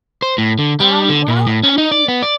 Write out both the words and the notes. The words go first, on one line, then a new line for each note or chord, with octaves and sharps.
Um, well, I mean,
C5
A2
D3
G3
D3
A#2
A2
C#4
D#4
D5
B3
D5